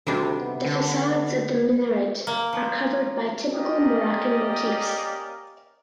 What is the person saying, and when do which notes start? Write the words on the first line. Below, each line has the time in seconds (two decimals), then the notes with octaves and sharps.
The facades of the minaret are covered by typical Moroccan motifs.
0.07 D2 C3 D#3 G3 D4
0.41 B3
0.64 D3
2.27 A#3
2.53 F3
3.53 A#3 C#4 G4 A#4 D5 D#5